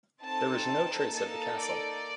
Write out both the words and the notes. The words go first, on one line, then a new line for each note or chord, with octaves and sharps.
There is no trace of the castle.
C4 D#4 A4 A5
A#3 D#4 A4 A5
D5